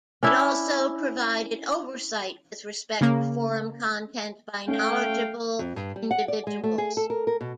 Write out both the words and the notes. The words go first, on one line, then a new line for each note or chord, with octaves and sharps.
It also provided oversight with respect to forum content by knowledgeable individuals.
C#4 D4 E4
C#3 A#3
A3 C#4 F5 G5
F2
G2
G3
F#5
D5
G#3
A3
G#4
A4
A#4
A#4
B2